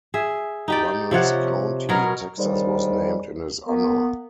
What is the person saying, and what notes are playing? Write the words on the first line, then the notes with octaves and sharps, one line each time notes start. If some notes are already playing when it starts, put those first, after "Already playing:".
Runnels County, Texas was named in his honor.
G#4 E5
D#4 G4 D5
C3 F3 C#5 F#5
B2 F#3 A#4 C#5
D#2 G#2 D#3 G3
A#3 B3